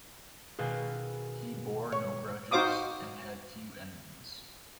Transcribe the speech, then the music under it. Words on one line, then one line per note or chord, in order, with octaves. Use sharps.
He bore no grudges and had few enemies.
B2 D#3 G#4 B4 F5 G#5
C#5
D#4 F#4 C5 F5 D6 D#6